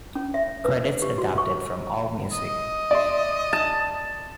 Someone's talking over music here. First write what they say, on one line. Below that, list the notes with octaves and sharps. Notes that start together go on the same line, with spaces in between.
Credits adapted from AllMusic.
C#4
E5
B4
G4
F#4
C#6
D#5
D5 E5 C6
A5